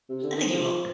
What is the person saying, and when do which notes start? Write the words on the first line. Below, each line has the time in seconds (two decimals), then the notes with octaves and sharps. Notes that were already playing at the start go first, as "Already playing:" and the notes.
I think you will.
0.09 C3
0.23 D3
0.37 D#3
0.49 F3